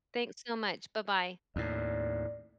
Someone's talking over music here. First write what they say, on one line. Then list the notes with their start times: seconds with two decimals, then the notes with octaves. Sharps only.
Thanks so much. Bye bye.
1.56 D#2 A2 D5